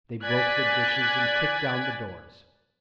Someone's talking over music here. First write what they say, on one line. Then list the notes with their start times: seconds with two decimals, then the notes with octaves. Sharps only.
They broke the dishes and kicked down the doors.
0.23 D5 G#5 F#6 G#6 A6 B6